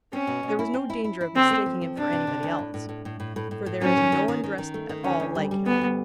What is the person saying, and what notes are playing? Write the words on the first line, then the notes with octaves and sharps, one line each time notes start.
There was no danger of mistaking him for anybody else, for there is no one dressed at all like him.
C4 C#4
B2
B2
E4
C4
E4
E4
E4
D2 C4
A3
F3
F3
C3 D4
C3
C3
D2
A2
A2
A2
A2
A2
A2
A2
A2
F#3 C#4
D#3
D#3
D#3
D#3
D#3
A3
D#3
D2 C#4
D2
G3
G3
D2 B3
G3